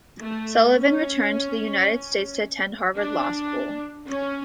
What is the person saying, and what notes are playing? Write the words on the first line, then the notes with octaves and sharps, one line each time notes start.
Sullivan returned to the United States to attend Harvard Law School.
A3
C#4
D4
C#4